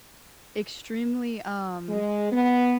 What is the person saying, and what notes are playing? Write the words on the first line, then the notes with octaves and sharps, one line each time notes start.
extremely um
G#3
B3